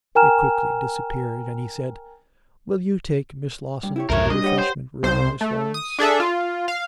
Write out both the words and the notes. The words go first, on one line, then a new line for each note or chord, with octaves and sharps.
It quickly disappeared, and he said, 'Will you take Miss Lawson to the refreshment room, Miss Laurence?
A#4 G5 G#5 A#5 F6 E7
G2
E4 G4 C#5
B1 F2 G#2 A4 A#4 C#5 E5
G3 D4 F#4 D#5
G4 B4 C#5 F#5
C5
C2 C5
A3
D#6
D4 G#4 A4 E5
F4
F5